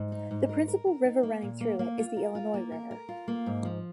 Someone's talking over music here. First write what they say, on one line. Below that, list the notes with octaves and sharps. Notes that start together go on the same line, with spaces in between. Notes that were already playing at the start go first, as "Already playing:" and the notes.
The principal river running through it is the Illinois River.
Already playing: G#2
D#4
G#2
A#4
A#4
A#4
D#4
A#3
A#2
A#3
A#3
F4
A#4
F4
A#3
A#4
A#4
F4
A#3
G#2
F3